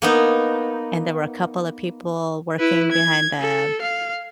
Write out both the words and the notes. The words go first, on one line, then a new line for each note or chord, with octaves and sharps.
and there were a couple of people working behind the
A#3 B3 D#4
E4 B4
G#6
A4
F5